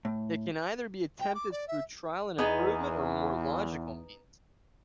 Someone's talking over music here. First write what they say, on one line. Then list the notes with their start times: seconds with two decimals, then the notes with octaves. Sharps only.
It can either be attempted through trial and improvement or more logical means.
0.05 A2
1.20 G5
1.34 D6
1.51 D5
1.68 E5
2.38 E2 B3 D#4 G#4